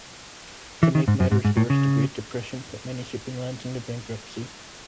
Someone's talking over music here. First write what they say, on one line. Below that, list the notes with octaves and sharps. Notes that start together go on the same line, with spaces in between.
To make matters worse, the Great Depression put many shipping lines into bankruptcy.
E3
D#3
G#2
F#2
G#2
G#2
A2
C#3